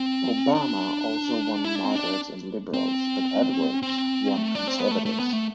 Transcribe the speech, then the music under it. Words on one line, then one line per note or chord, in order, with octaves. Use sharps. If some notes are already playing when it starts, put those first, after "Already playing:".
Obama also won moderates and liberals but Edwards won conservatives.
Already playing: C4
D4
E4
D4
C4
D4
C4
C4
A3
D4
C4
B3
A3
A3
B3
A3